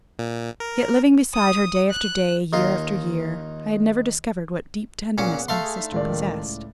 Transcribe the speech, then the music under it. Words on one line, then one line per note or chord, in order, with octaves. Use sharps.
Yet, living beside her day after day, year after year, I had never discovered what deep tenderness my sister possessed.
A#2
A#4
D#6
F#6
D#2 D#4 F4 C6
C#2 A#2 B3 C#4 F#5
A3 F5 C6
G#4
D4 D#4 E5
C#2 A2 D#3 D5